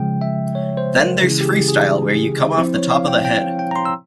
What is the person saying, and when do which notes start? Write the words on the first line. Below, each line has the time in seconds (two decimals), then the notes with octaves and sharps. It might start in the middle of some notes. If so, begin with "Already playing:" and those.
Then there's freestyle where you come off the top of the head.
Already playing: C#3 F3 G#3 G5
0.21 E5
0.55 C#5
0.77 C5
1.00 A#4
1.22 C#3 E3 G#3 C#4 E4 G#4
1.41 G4
1.45 G#4
1.68 G#4
2.57 F3 C4 E4 C5
2.74 C#5
2.91 F5
3.08 G5
3.25 G5
3.59 G5
3.71 A#5
3.76 C6
3.85 E6